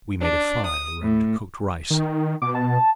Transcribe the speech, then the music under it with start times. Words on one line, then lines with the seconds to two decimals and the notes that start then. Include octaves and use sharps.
We made a fire and cooked rice.
0.21 D4
0.66 D#6
1.02 A2
1.90 D#3
2.42 B2 D6
2.55 A5